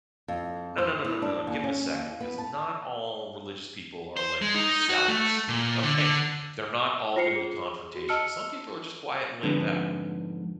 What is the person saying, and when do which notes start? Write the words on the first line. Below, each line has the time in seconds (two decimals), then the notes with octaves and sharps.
"No, no, no, no, no, no, give 'em a second 'cause not all religious people are like zealots, okay, they're not all gonna be confrontational; some people are just quiet and laid-back.
0.28 F2
0.78 C5
1.05 E4
1.22 D4
1.47 D#2
1.64 C#4
1.95 D#2
2.20 B3
2.38 A5
4.17 C5
4.42 G#3
4.55 D#4
4.89 F#4
5.08 A3
5.48 A#2
5.83 D3
5.97 D3
7.16 F4 C5 C7 C#7
7.36 G#4
7.96 F#4
8.09 D#5 A5 E6 F6 C#7
9.43 F2 G#2 D3 B3